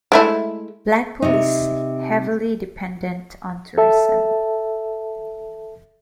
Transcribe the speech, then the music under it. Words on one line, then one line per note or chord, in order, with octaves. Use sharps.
Blackpool is heavily dependent on tourism.
G#3 A3 E4
C3 D#4
A4 E5 A5